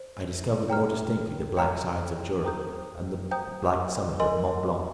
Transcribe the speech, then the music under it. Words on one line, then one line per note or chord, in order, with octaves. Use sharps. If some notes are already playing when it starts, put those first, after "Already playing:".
I discovered more distinctly the black sides of Jura, and the bright summit of Mont Blanc.
Already playing: C5
C#5 G5 A#5 F6
C#5 G5 A#5 F6
C5 G5 A#5 D#6 G6
C5 G5 A#5 D#6 G6
A#4 D#5 G#5 C6